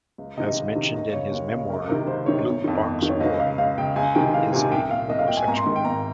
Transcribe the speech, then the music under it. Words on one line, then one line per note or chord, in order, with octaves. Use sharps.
As mentioned in his memoir "Blue Box Boy" he is a homosexual.
C#2
C3 D#3 D#5
C#2
C3 D#3
D#2 D#5
C#3 C#5
D#2
C#3
C#2 A#4
C3 D#3 A#4
C#2 C5
C3 D#3 C#5
G1
F2 D#3
G1
F2 D#3
C#5
C#2 D#5
C#3 F5
C#2 F5
C#3 G5
C#2 G#5
C3 D#3 G5
C#2 F5
C3 D#3 G#5
C2 G5
A#2 F5
C2 D#5
F5
A#2 G5
G#5
G#1 A#5
C6
G#2 D#3
G5
G#1 A#5